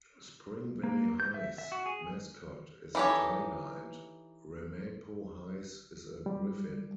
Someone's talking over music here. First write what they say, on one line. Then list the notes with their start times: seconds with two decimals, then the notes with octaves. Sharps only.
Spring Valley High's mascot is a tiger, and Ramapo High's is a griffin.
0.84 A#3
1.20 G6
1.34 E5
1.58 E5
1.72 F#4
1.86 G#4
2.95 E3 D#4 G4 A4 C#5
6.26 G3